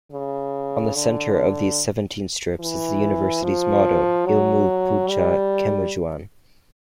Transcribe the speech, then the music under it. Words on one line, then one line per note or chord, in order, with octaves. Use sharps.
On the centre of these seventeen strips is the university's motto 'Ilmu Puncha Kemajuan'.
C#3
D3
E3
F3
F#3
G3